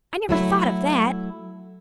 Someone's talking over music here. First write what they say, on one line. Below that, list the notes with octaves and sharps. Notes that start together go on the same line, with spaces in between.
I never thought of that.
F#3 A3 E4